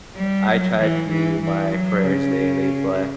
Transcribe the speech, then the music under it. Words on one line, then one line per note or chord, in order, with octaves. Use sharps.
I try to do my prayers daily, but,
G3
F#3
E3
E3
E3
F#3
C#3